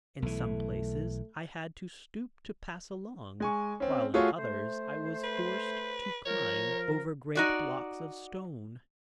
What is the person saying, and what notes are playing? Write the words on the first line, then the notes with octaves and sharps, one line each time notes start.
In some places I had to stoop to pass along, while in others I was forced to climb over great blocks of stone.
B1 E3 A3
G#3 G#5 C#6
C4 C#4
A3 F4 F#4 G#4 C#5
A3 C5
B4
F3 A#4 C#5
D#4 F#4 D5